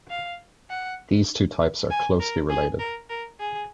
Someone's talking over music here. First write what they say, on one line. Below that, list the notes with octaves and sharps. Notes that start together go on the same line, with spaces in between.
These two types are closely related.
F5
F#5
G#5
A#4
G#4
A#4
A#4
G#4